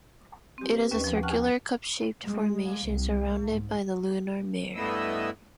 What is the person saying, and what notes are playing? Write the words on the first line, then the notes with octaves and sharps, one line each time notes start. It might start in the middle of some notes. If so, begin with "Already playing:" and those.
It is a circular, cup-shaped formation surrounded by the lunar mare.
C4 G4
A#4 B4
D#2 C#4 B4 C#6
F3
F#5 G5 A5 C#6 F6 F#6
G#3
C2
G#2
G2 A3 B3 E4 D#5 E6